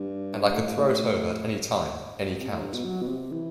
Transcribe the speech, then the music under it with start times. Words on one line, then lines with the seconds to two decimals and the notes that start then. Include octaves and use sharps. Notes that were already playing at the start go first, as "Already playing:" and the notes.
And I could throw it over at any time, any count.
Already playing: G2
0.53 A2
0.77 A2
2.39 C3
2.50 A2
2.61 G2
2.73 B2
2.85 F#3
3.02 B2
3.07 C3
3.31 E3